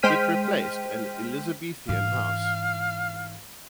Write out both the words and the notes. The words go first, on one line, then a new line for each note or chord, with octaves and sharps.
It replaced an Elizabethan house.
G#3 C5 G5 F6 B6 D#7
G#2 E3 F5